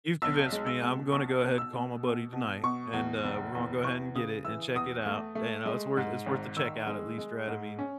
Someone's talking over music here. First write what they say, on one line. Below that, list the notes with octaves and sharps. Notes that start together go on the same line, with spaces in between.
You've convinced me. I'm gonna go ahead and call my buddy tonight, and, uh, we're gonna go ahead and get it and check it out, and, uh, it's worth it's worth to check out at least, right? I mean
B1 E6
G#3
E6
B2
B1 C#6
B2
E6
B2
B2
B2
B2 C#6
E2
F#1
E2
E3 C#6
C#3 D#6
E3 E6
E2 D#6
A3
A3
G#3
G#2
G#1
D#3 E6
G#3
G#3
G#2
C#4